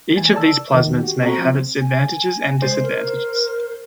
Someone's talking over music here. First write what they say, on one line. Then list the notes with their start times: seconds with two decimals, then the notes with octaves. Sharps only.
Each of these plasmids may have its advantages and disadvantages.
0.16 E3 G#5 A6
0.34 D5 A5 E6
0.74 E2 D#3
0.99 F#4 G4
1.22 C4 F#4 A4 F#5 A#5
1.38 F3 C4
1.80 G#5
2.62 G#3 C5
2.82 A#4